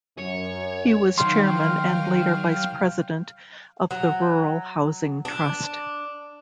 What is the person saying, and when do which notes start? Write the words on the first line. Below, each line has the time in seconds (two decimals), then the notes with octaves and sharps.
He was chairman and later vice-president of the Rural Housing Trust.
0.18 F#2 C#5
1.18 D#3 F#3 F5 G5 C6 F6
3.91 F#3
5.25 D4